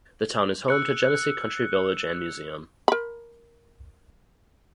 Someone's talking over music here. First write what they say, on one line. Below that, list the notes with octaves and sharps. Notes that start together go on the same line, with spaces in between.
The town is home to Genesee Country Village and Museum.
E6 F#6 C#7
A#4 B5